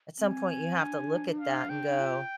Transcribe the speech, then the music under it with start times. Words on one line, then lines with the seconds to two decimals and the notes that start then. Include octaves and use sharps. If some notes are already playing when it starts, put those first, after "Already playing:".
At some point you have to look at that and go
0.19 C4 G#5
0.80 D4
1.40 F5
1.70 G5
2.00 F4